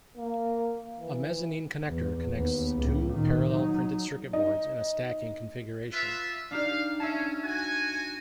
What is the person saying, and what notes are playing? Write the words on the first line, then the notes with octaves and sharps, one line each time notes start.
A mezzanine connector connects two parallel printed circuit boards in a stacking configuration.
A#3
E3
E2
D#2 B3
C#2 A2
A#2 D#3
F#3 D#4
D#4
F4 B4 E5
D4 D#4 G4 F5
C#4 E5 A5
F#4 G#5